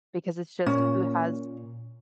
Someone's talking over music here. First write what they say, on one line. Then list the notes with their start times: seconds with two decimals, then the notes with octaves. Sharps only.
because it's just, "Who has
0.66 A#2 C#4